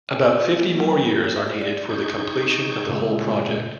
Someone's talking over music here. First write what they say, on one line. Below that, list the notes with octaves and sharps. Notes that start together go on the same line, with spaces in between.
About fifty more years are needed for the completion of the whole project.
C4
F#4
F4
A#3
F#3
C5
A#3
C#5
E5
C5
D5
D#4 G#4 C#6 G6
A#2 C#3 G#3 A3